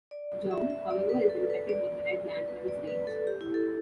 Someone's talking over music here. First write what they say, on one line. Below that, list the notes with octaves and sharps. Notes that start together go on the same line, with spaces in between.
John, however, is infected with the Red Lanterns' rage.
D5
E5
E5
D5
B4
A4
B4
D5
B4
D5
B4
A4
G4
E4
A4